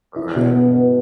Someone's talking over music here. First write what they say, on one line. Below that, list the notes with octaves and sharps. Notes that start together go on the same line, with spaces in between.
All right.
E4
B2
B3
B4